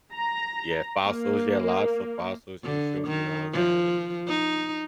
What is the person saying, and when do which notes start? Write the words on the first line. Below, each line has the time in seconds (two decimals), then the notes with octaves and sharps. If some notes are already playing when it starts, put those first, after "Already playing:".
Yeah, fossils, yeah, lots of fossils, he was showing me all of that, and
0.13 A#5
1.07 A#3
2.64 D3
3.08 D#3
3.54 F3
4.28 D#4